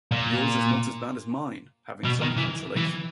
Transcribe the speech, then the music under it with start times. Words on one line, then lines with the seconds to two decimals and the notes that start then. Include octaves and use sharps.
Yours is not as bad as mine, having some consolation.
0.11 A#2
2.04 B2
2.21 D#3
2.37 E3
2.76 E3